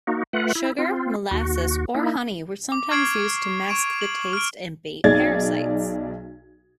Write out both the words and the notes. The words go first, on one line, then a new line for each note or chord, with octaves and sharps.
Sugar, molasses or honey were sometimes used to mask the taste, and bait parasites.
A#3 D#4 F#4
A3 F4 B4 F#5
E4
C4 F4
D#2 F#4
A#3 D#4 E4
D6
C#6 F6 G#6 C7 D7 F#7
C#6 D7 D#7 F7
F#7
F6 D7
B1 D#4 G#4 D5 G#6 A6